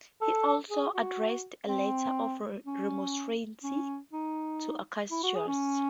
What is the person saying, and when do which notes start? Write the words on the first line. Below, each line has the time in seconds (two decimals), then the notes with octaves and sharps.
He also addressed a letter of remonstrance to Acacius.
0.21 A4
0.70 G#4
0.95 F#4
1.68 C4
2.66 C#4
3.64 C#4
4.13 D#4
5.11 E4
5.23 F#4
5.35 G#4
5.47 C#4